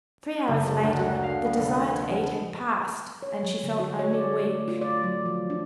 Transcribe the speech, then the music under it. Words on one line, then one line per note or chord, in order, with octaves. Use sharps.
Three hours later the desire to eat had passed, and she felt only weak.
F#1
D2
F#4
F5
B3
F1
B3
G#6
F3
C#5
F#3
D3
F#4
C#5
D5
A3
F4
D5
F#3
F3
D4